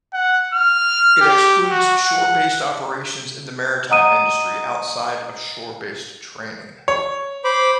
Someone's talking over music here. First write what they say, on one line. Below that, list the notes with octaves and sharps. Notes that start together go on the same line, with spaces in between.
It excludes shore based operations in the maritime industry outside of shore based training.
F#5
F6
G4
F#4
F#5
D#5 F#5 A#5 D#6 D#7
C#5
C5 B5 D6